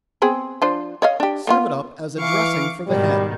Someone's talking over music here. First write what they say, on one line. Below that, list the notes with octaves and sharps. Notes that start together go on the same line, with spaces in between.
Serve it up as a dressing for the head.
B3 C4 G#4
F3 D4 C5
C#5 D#5 F5
D4 G4
A#3 B3 F4
E3 F5 C#6 D6
G#2 B2 D#3 G3